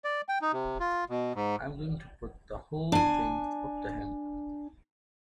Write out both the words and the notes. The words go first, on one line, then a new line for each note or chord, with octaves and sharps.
I'm going to put the whole thing up to him.
D5
G5
D#4
C3
F4
B2
G#2
D4 G#5